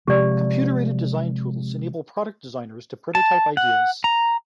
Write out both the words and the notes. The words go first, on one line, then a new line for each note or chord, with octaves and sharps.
Computer-aided design tools enable product designers to prototype ideas.
C3 F3 G#3 G4 D5
A5
F#5
A#5